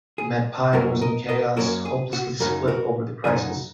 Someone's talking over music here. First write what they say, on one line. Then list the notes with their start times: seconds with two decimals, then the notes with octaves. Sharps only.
Mapai was in chaos, hopelessly split over the crisis.
0.18 G#4
0.73 F#2 C#3 F#3 A#3 C#4 F#4 A#4
1.01 A#4 D#5
1.29 A#4 D#5
1.57 F#2 C#3 F#3 A#3 C#4 F#4 A#4
1.85 G#4
2.13 F#4
2.40 F#2 C#3 F#3 D#4 F#4 A#4
2.68 F#4 A#4
3.24 F#2 C#3 F#3 D#4 G#4